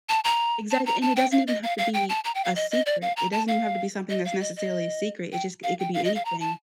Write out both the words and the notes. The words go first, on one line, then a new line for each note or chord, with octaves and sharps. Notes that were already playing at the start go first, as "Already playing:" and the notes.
Exactly, and it doesn't even have to be a secret, it doesn't even have to be something that's necessarily a secret, it just c it could be anything.
A5
A#5
A5
A#5
A5
G5
F5
D#5
F5
F5
G5
A5
A#5
G5
F5
D#5
D#5
D5
F5
A#5
A5
F5
D#5
F5
D#5
D#5
G5
F5
G5
F5
D#5
F5
A#5
A5